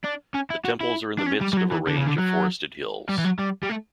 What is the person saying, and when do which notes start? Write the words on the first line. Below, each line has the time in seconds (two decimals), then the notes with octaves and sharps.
The temples are in the midst of a range of forested hills.
0.04 D4
0.34 C#4
0.50 E4
0.65 F#4
0.81 E4
1.19 D4
1.26 C#4
1.41 G3
1.53 G3
1.57 F#3
1.71 E3
1.87 D3
1.96 C#3
2.07 D3
2.18 F#3
3.09 G3
3.18 E3
3.25 F#3
3.39 G3
3.63 G3
3.69 A3